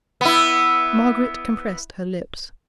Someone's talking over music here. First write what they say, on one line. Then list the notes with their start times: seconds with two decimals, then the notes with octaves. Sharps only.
Margaret compressed her lips.
0.21 B3 E4